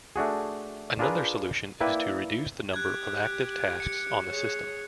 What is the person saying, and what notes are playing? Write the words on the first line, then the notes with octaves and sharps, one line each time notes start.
Another solution is to reduce the number of active tasks on the system.
A3 D4 F#4 G#4
D4 F4 G#4 A#4 B4
A#3 E4 B4 D5 G5
G4 F#6 G#6
C#7
G#4 C#5